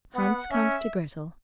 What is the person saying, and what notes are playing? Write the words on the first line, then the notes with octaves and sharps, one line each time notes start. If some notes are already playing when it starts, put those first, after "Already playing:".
Hans comes to Grettel.
B3 F#5
C#4 E5